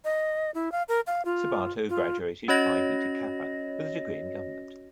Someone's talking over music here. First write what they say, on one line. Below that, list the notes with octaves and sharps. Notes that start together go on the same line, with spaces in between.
Sabato graduated Phi Beta Kappa with a degree in government.
D#5
E4
F5
A#4
F5
F4
F4
C#4 F#4 C#5 D#5 A#6